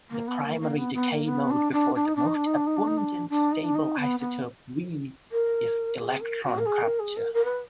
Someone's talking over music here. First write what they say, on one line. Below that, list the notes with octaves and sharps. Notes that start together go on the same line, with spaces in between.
The primary decay mode before the most abundant stable isotope V is electron capture.
A#3
B3
A#3
A#3
B3
B3
A#3
B3
D4
D4
D4
D#4
D4
D#4
D4
D#4
D4
D#4
D4
D#4
D4
D4
D#4
D4
D#4
B3
B3
A#4
G#4
A#4
F#4
A#4
G#4
A#4
G#4
A#4
A#4
B4